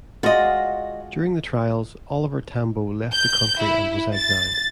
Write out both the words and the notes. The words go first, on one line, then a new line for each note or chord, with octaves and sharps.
During the trials, Oliver Tambo left the country and was exiled.
G#3 F4 F#4 D5 D#5
G6
E4
A6